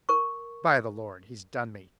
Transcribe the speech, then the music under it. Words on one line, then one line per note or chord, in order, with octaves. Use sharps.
'By the Lord, he's done me!'
A#4 C#6